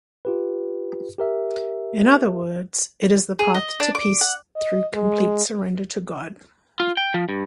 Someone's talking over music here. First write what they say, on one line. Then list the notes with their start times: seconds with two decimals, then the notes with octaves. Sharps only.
In other words, it is the path to peace through complete surrender to God.
0.25 F4 G4 B4
1.18 G4 A#4 E5
3.39 G#4
3.54 D#5
3.80 D4
3.95 D6
4.21 F#5
4.56 D#5
4.95 G#3
6.80 F4
6.97 G5
7.14 F3
7.29 G2